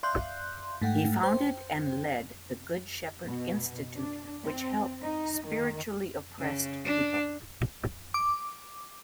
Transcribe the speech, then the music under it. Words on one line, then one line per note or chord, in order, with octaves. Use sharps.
He founded and led the Good Shepherd Institute which helped spiritually oppressed people.
D5 E5 F5 C6 F#6 G6
G#2 A3 F#5 G5
C5 G5
B2
D4
C4
D#4
D#3
C#3
D4
D6